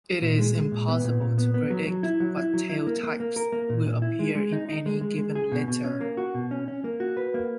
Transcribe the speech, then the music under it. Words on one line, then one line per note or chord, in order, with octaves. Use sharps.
It is impossible to predict what tail types will appear in any given litter.
A#2
G#3
G#3
A#2
B3
A#2
A#2
B3
B3
F#3
F#3
E4
F#3
E4
F#3
E4
A#3
A#3
A#3
A#4
A#3
A#2
A#2
E4
G#3
G#3
D#4
D#4
G#3
G#3
G#3
G#4
B2
B2
C#4
A#3
F#4
B2
C#4
C#4
A#3
F#4
B4
A#3